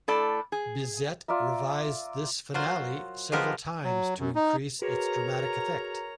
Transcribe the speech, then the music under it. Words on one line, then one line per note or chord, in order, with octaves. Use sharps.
Bizet revised this finale several times to increase its dramatic effect.
A2 A4 D5
G#4
F4 D5 E5 A#5
F#3 F4 A#4 C5
F3 G#3 B3 G4 A#4
F#3
F#2
D#4
F#4 G#4 A#4 B4 C#5 A#5